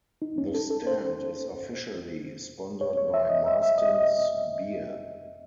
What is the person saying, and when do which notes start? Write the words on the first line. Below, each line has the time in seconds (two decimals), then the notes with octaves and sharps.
The stand is officially sponsored by Marston's beer.
0.22 D#4
0.38 C#4
0.54 A4
0.70 A4
0.87 C5
2.81 C#5
2.97 C#5
3.14 E5
3.29 D#5
3.46 E5
3.62 E5
3.78 D#5
3.95 D#5